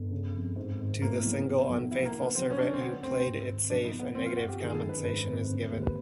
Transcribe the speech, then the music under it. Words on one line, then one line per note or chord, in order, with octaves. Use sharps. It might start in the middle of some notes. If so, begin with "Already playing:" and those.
To the single unfaithful servant who "played it safe," a negative compensation is given.
Already playing: G1
C#3
F2
G#2
G#1
A2 A#3
B1
B2
B1
F3 E4
A#3
D3
B3
F#3 C4
C#4
D3 D4
C#4
C4
D3 B3
D2 C4
G#2
G#1
F#3 D4
D#4
B2
B3
F2 C4
F4
G1 F#4
G4
D#3 G#4
G#4
A4
F#2
B4
G#2 B4
G#1
D3
D#2
B4